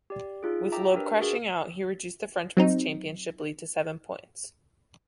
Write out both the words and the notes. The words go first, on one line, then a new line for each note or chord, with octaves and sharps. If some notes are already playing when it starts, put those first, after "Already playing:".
With Loeb crashing out, he reduced the Frenchman's championship lead to seven points.
G4 D5
D#4 F4 G#4
E5 G5 A5 A#5 D6
D4 G4 A#4 B4
F#4 G#4 E5
F#3 C4 D#4